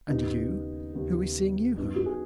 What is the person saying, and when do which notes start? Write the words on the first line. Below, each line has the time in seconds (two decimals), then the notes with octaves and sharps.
"And you, who is seeing you home?"
0.08 D#2 C#3 B3 D#4
0.94 D#2 C#3 B3
1.78 F#2 F#3 B3 D#4
1.96 F#4
2.06 G#4